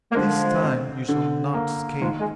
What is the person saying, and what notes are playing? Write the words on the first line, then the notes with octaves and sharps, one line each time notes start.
This time you shall not escape.
A#3
D3 F3 G#3
C4
D3
A#3
D#3 F3 G#3
G#3